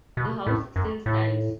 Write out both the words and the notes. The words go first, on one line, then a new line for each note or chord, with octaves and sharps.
The house still stands.
B2
A2
F#2
A2